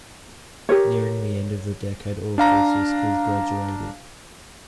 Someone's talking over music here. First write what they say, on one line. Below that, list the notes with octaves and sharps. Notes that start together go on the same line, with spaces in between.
Nearing the end of the decade all four sisters graduated.
G4 A#4 C#5
D4 F5 A#5